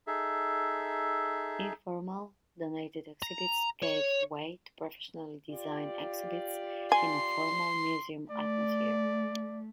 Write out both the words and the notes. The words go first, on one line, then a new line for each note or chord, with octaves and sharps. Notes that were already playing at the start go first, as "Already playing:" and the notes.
Informal, donated exhibits gave way to professionally designed exhibits in a formal museum atmosphere.
D#4 G#4 A4 E5
A#5
C#5
F4 G4 D5
G#5 C6
A3 D5